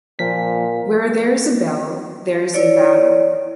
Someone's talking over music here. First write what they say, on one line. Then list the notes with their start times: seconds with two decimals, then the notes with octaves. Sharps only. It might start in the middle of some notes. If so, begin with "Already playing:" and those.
Where there is a bell, there is a battle.
0.19 A#2 F3 B6
2.54 E4 C#5 D5